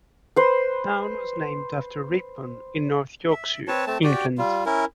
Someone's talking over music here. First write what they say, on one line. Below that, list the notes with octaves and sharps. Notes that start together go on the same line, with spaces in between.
The town was named after Ripon in North Yorkshire, England.
B4 C5
E5
C4 B4 C#5 A5
A3 C4 A5
F#4 G4 D5 G5
G3 F4
C#4 E4 A#4